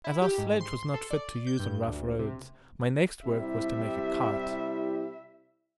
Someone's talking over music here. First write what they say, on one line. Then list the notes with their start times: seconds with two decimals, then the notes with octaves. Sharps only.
As our sledge was not fit to use on rough roads, my next work was to make a cart.
0.04 E4
0.22 G4
0.38 G#2
0.61 C6
0.94 A4
1.11 D5
1.47 G6
1.59 G2
1.86 D2
2.19 C3
3.26 C3 G3 E4 E5